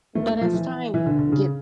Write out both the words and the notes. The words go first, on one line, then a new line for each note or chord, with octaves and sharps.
but as time gets
A3
A#3
A3
F3
E3
E3
D3
D3
C#3